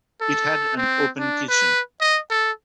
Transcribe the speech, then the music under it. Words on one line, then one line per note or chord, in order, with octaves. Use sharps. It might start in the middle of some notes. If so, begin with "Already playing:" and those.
It had an open kitchen.
A4
C4
D4
B4
D#5
A4